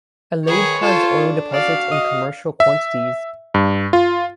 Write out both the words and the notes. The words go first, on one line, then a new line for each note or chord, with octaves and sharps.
Alade has oil deposits in commercial quantities.
D#3 G#4 B4 C#5
F4 A4 C5
D4
F#4 D5 F5
D#5
E5
G2
F4